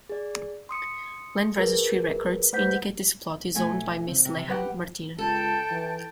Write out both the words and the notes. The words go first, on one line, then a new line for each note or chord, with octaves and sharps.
Land registry records indicate this plot is owned by Miss Leah Martina.
G#4 D5
C6 D#6 C#7
F#4 G#4 A#4 B4
A3 B4 C5 F#5 G6 B6
B2 A3 G#5
C#3 C4
C3
G3 G4 B4 F#5
C#2 A4 G5 A5
E3